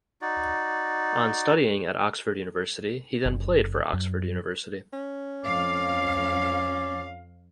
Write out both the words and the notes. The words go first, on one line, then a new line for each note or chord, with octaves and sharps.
On studying at Oxford University he then played for Oxford University.
D#4 F#4 D5
F#1
F#2
C#4
F2 D5 F5